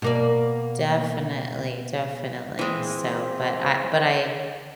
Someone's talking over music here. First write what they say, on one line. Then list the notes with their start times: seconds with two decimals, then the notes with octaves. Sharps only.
Definitely, definitely, so but I but I
0.02 B2 A#3 D5
2.59 E3 G#3 C4